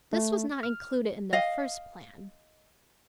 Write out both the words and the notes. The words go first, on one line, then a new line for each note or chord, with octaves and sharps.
This was not included in their first plan.
A3
F6
D#5 F5